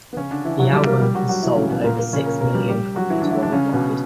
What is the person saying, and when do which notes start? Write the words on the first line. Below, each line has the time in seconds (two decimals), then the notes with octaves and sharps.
The album has sold over six million copies worldwide.
0.13 B3
0.17 C#3 C#4
0.31 D3 D4
0.45 E3 E4
0.59 F#3 F#4
0.73 G3 G4
0.86 A#3 A#4
1.02 G3 G4
1.14 F#3 F#4
1.29 F#3 F#4
1.43 E3 E4
1.56 C#3 C#4
1.71 B2 B3
1.84 A#2 A#3
1.99 A#2 A#3
2.13 C#3 C#4
2.26 A#3 A#4
2.41 A#3 A#4
2.54 G3 G4
2.68 G3 G4
2.96 F#3 F#4
3.10 E3 E4
3.21 D3 D4
3.31 E3 E4
3.42 D3 D4
3.52 C#3 C#4
3.73 B2 B3